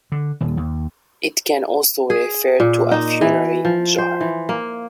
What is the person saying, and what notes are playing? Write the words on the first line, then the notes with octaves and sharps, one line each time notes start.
It can also refer to a funerary jar.
D3
D#1 D#2
D#2
G#4
A#2
D#4
E3
F3
C5
E3
A#3